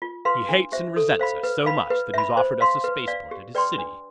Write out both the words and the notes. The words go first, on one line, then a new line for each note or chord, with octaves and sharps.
"He hates and resents us so much that he's offered us a spaceport at his city...."
F4
B4 F5 C6
D4
G4 C5 E5
A4
C5 F5 B5
B4
F5 B5
B4
E5 B5
C5
F5 C6
B4
D5 F5
G4
B4 D5 G5 C6
D4